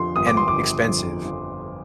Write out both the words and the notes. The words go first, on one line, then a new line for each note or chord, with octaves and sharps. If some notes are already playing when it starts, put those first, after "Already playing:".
and expensive,
Already playing: F2 D3 F3 C6
G1 D#6
D6
C6
D3 D6
F2
F3